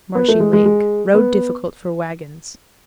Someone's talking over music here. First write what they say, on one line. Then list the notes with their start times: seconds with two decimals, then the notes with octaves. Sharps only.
Marshy Lake.--Road difficult for wagons.
0.15 B3
0.29 A3
0.40 G#3
0.53 G#3
0.65 G#3
1.14 B3